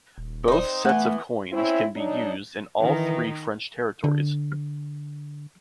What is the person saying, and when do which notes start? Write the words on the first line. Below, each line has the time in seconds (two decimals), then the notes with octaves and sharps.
Both sets of coins can be used in all three French territories.
0.18 D#1
0.48 C4 D#4
0.85 E3 A3 B3
1.51 C4 C#4 E4
1.95 F#3 D4 D#4
2.81 D#3 E3 D#4
4.04 D3